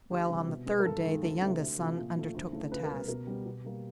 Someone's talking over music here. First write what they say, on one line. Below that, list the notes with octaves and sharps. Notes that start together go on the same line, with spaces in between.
Well, on the third day the youngest son undertook the task.
D2 G4
C3 E3 G3
B2
G#3 B3
A#4
G2 A4
D#3 G#3
D2 A4
C3 E3 A3
D2
C3 F3
A#2
F3 A3
D2
C#3 E3 A3
C#2 B4
A#4
B2 G3 B4
B2 A#4
G3 B3
B2
G3 A#3